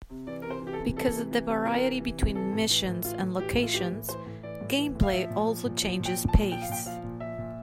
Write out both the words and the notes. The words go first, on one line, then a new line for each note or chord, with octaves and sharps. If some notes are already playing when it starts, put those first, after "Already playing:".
Because of the variety between missions and locations, gameplay also changes pace.
C3
E3 D5
C3 A#4
C5
E3
G4
A4
C3
E3 A4
C3
E3
C3
E3 A#4
C3
E3
C3
E3 A4
A2
E3
A2
E3 F4
A2
E3 G4
A2
F4
E3 G4
A2
E3 C5
A2
E3 D5
A2
E3
A2
F5
F3 E5
A#2
F3
A#2
F3
A#2
G5
F3
A5
A#2
F3 G5
F5
A#2 G5
F3 F5
A#2
F3 E5
A#2